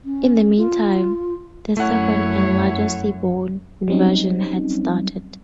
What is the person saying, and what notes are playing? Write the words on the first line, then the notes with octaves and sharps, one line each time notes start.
In the meantime, the second and larger sea-borne invasion had started.
C#4
F4
F#2 A3 E4 C#5 F#5
F#3 G3 C4 C#4 D#4